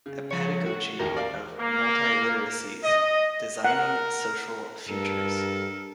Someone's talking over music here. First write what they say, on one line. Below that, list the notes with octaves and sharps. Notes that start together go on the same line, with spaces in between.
A Pedagogy of Multiliteracies: Designing Social Futures.
C#3
F3 C#5
F#4
A1 D#2 A#4
D5 F5
A#3
D#5
A#4 F#5
G2 A4 A#4